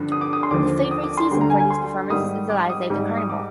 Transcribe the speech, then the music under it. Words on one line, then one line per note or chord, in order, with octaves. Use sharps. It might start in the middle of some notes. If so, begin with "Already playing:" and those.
The favorite season for these performances is the last day of the Carnival.
Already playing: G2 D3 F3
D#6
D6
D#6
C6
D#2 D3 F3 D6
D6
D#6
D6
C6
D2 D3 G3
A#5
G#5
G#5
C6
G#2 D#3 G3 D#6
D6
D#6
G#2 G3
D#6
D6